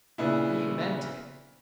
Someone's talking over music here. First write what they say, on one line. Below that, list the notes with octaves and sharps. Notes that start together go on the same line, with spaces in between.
He meant it.
A#2 C#3 B3 D4 E4